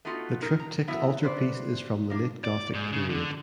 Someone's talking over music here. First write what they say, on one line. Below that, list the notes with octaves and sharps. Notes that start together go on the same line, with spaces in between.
The triptych altarpiece is from the Late Gothic period.
A3 B3 D#4 F4 F#4
D#4 A#4
A#5
F#3 A3 B3 E4 E5
B4 C5 D5
A#3 D4
D5
G#2
C#3
D3